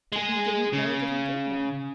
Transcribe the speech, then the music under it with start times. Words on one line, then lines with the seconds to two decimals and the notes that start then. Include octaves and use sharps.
Tibby didn't know that he did know.
0.12 G#3 G#4
0.73 C#3